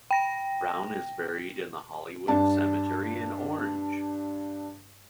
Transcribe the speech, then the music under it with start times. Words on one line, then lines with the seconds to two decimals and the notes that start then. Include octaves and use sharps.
Brown is buried in the Hollywood Cemetery in Orange.
0.11 G5 A#6
2.28 G2 D4 A5